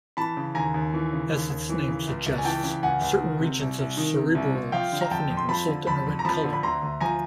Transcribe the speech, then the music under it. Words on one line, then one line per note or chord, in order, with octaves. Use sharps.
As its name suggests, certain regions of cerebral softening result in a red color.
E3 A5 B5
C#3
D#2 G#5 A#5
D#2
E3
C#3
D#2
D#2
E3
C#3
C#2
C#2
G#5
E3 G5 A5
C#3
C#2 F#5 G#5
C#2
D#3
C3
C2
C2
D#3
C3
C2
C2
F3 F5 G5
D3
A#5
F2 G5 A5
F2
C6
F3 A5 B5
D3
F2 A5 B5
F2
A#5
F3 A5 B5
D3
B5
D2 A#5 C6
D2
F3 G#5 A#5